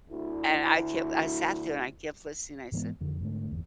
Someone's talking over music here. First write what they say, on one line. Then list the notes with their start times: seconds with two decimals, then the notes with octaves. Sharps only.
and I kept I sat there and I kept listening I said,
0.10 D2 E4
2.72 G#2 E3 G#3 B3
3.01 F2 D3 D#3
3.21 G#2 D3 A3
3.52 G1 E2